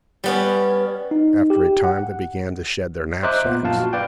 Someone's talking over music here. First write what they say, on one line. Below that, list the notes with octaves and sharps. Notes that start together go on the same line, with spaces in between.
After a time they began to shed their knapsacks.
G3 B3 C#4
D#4
G4
F#5
C5 D#5 E5 A#5 D6 F#6
A#2 B3
A#1 F#2 A#2 F4 F5 A5
F#4
B4 D5 F5 G5